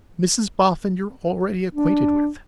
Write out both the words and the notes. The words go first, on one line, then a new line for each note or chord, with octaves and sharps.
'Mrs Boffin you're already acquainted with.
D4